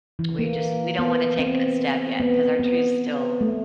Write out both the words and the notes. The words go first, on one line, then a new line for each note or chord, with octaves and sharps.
We just we don't wanna take that step yet, 'cause our trees still
E3
A#3
B3
C4
B3
B3
A3